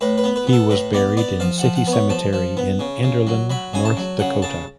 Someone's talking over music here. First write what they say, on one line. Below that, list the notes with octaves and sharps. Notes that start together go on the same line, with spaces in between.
He was buried in City Cemetery at Enderlin, North Dakota.
A2 B4
B4
B3
B4
B3
A4
A2 B4
B3 D5
B3 D5
F3 F5
F3 F#5
F#5
B3
C#5
F3 A5
F3
B3
C#3
C#3
F#3
F#3 B5
C#3 G#5
A5
F#3
C#3 F#5
C#3 A5